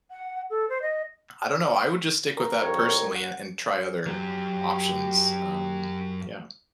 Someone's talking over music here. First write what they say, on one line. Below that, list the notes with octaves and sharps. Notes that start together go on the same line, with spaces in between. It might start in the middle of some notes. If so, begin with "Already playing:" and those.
I don't know, I would just stick with that, personally, and and try other options, um, yeah.
F#5
A4
C5
D#5
A#4
C2 F2 C#5
F#5
F#2 F#3 G4